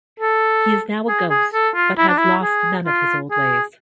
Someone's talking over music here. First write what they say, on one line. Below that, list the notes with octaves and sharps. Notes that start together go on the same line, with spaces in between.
He is now a ghost, but has lost none of his old ways.
A4
G#4
G#4
A4
F4
E4
D4
E4
G#4
F4
G#4